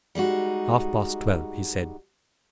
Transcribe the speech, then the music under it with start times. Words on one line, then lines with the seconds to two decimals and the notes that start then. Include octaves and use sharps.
"Half-past twelve," he said.
0.15 G3 G#3 D#4 F#4